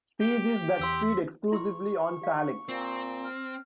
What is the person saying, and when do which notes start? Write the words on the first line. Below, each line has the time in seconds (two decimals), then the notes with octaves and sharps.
Species that feed exclusively on "Salix".
0.20 G4 G5
0.79 E2 C6 E6 B6
1.52 E4 C6 C#6
2.22 G4 F5
2.69 A#2 C4
3.24 F6